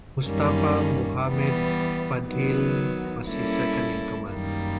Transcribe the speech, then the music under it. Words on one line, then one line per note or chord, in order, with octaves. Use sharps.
Mustafa Mohamed Fadhil was his second-in-command.
F#2 D#3 G3 A#3 C#4
E3 G3 B3
D#3 F#3 B3
G3 A#3 C#4 E4 A4
F#2 D#3 G3 A#3